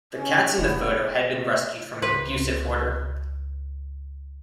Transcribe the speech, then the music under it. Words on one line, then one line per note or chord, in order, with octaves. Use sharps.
The cats in the photo had been rescued from an abusive hoarder.
C#4
F1 B3
C#2 B4 C5